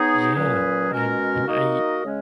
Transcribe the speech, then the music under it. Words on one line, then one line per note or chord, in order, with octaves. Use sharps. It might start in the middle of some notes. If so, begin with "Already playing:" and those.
Yeah, I mean, I
Already playing: B3 D#4 G#4 C#5
A#2 F#3 C#4 G#4 B4
B2 G#3 C#4 F#4 A#4
A#3 D#4 F#4 A#4 D#5
C#3 G#3 C#4